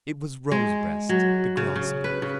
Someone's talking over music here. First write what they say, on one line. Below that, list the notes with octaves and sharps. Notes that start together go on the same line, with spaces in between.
It was Rosebreast the Grosbeak.
G#3
F#3
C#3
C#3
B4
C#3